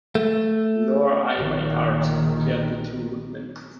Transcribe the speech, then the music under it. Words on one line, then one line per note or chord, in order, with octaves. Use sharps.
"Nor I my heart," declared the Tin Woodman.
A3
A#1 D#3